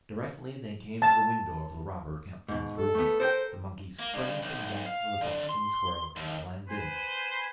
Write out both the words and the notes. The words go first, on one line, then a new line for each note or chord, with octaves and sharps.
Directly they came to the window of the robber captain's room, the monkey sprang from the backs of the fox and the squirrel, and climbed in.
A5
G#2 B2
A4
A3 B3
A4 A#4 C5 G5
A#3
G2
B1
F5
D3
C6
D#2
B4 C5 G#5